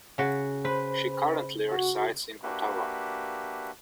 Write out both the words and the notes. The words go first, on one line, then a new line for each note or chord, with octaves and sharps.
She currently resides in Ottawa.
C#3 F#4
B4 C5 B5
F#4
A#3 D4 F#4 G4 B4 E5